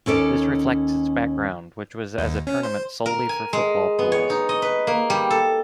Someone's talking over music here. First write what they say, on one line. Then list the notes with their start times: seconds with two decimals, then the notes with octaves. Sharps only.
This reflects its background, which was as a tournament solely for football pools.
0.06 D#2 C#4 A4 D5
2.18 D#2
2.47 C#4
2.63 C5
3.06 A#4
3.29 G#5
3.53 G#3
3.99 B3
4.12 C#5
4.30 D#4
4.49 D#5
4.62 B4
4.87 A#3
5.10 G3
5.30 A4